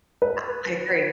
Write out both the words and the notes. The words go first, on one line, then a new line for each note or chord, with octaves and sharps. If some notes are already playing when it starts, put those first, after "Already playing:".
I I agree.
B4